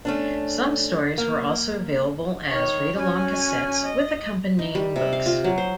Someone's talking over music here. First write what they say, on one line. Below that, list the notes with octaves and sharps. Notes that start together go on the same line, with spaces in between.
Some stories were also available as read-along cassettes with accompanying books.
A3 C#4 D4
A#3
D#3 C#5
C#4 F#4 G#5
D#5
D#4
G3
C3
F5
F4
F#3
C5